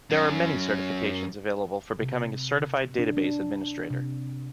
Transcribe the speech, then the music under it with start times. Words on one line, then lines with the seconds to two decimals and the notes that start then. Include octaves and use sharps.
There are many certifications available for becoming a certified database administrator.
0.11 F#2
2.02 C3
2.99 D4
3.17 D4
3.90 C3